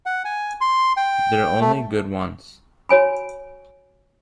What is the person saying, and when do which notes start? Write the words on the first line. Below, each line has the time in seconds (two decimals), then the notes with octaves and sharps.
They're only good once!
0.06 F#5
0.25 G#5
0.61 C6
0.97 G5
1.61 A3
2.89 F#4 C#5 G#5 B5